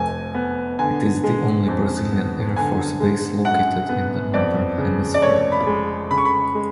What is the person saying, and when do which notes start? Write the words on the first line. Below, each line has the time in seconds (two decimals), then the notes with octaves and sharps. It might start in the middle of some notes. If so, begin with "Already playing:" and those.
It is the only Brazilian Air Force Base located in the Northern Hemisphere.
Already playing: F1 F2 F3 G#5
0.34 B3
0.79 D3 G#5
1.23 G#3
1.68 F2
2.12 B3
2.56 D3 G#5
3.00 G#3
3.45 F#2 F#5
3.89 B3
4.34 F2 D5
4.78 C#3
5.14 D5
5.22 F1 C#5
5.52 B5
5.66 G#3
6.11 C#3 B5
6.18 C#6
6.25 B5
6.55 G#3